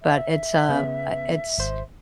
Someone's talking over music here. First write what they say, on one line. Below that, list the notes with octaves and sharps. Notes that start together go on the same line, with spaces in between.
but it's, uh uh, it's
E5
C#3 B3
G#1 C5